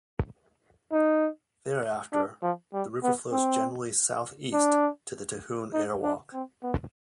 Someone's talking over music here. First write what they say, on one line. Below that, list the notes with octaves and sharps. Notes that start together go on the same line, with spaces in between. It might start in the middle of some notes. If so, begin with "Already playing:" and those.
Thereafter, the river flows generally south-east to the Tahune Airwalk.
D#4
D4
F3
G3
B3
C4
D4
D#4
D4
C4
B3